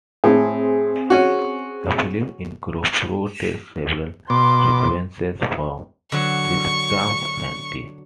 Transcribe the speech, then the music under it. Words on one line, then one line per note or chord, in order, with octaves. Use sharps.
The film incorporates several sequences from "Tristram Shandy".
A2 C4 G#4
C#4 F#4
B2 C6 D6
D3 F#3 C#6